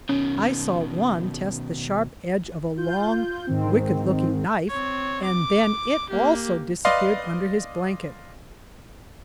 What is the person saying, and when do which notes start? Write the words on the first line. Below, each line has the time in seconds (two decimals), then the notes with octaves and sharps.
I saw one test the sharp edge of a long, wicked-looking knife, and then it, also, disappeared under his blanket.
0.09 B2 D#3 C#4
2.77 F4 G6
3.47 G#2 D#3 C4
4.70 C4 C#5
5.24 D6
6.10 A#3 G4
6.85 B4 D5 D#5 F5 C6